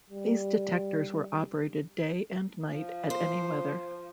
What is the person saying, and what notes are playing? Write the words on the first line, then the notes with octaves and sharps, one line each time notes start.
These detectors were operated day and night at any weather.
G3
F3
C5